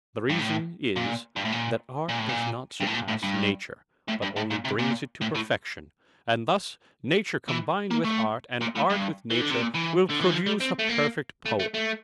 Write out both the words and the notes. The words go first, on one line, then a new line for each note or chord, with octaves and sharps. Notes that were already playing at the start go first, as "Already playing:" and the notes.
The reason is, that art does not surpass nature, but only brings it to perfection; and thus, nature combined with art, and art with nature, will produce a perfect poet.
G2
A2
A#2
G2
A2
A#2
A#2
A2
A#2
G2
A2
A#2
A2
G2
A2
G2
A2
A#2
C3
A#2
A2
A2
E3
A#3
A3
A#2
A2
G2
E3
D3
C3
A#2
E3
D3
E3
F3
G3
C4
A3
A#3
A3
A3
A3